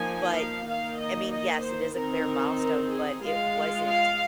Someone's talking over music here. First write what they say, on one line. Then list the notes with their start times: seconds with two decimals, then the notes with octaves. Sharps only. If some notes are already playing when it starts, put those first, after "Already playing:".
but, eh, eh, I mean, yes, it is a clear milestone, but it wasn't
Already playing: F3 A#3 D#4 G#5
0.34 F5
0.66 D#3 A#3 D#4 F5
0.99 D#5
1.30 D#5
1.62 C5
1.94 D#3 C4 D#4 A#4
2.59 A#4
2.91 G#4
3.24 G#3 F4 F5
3.89 F5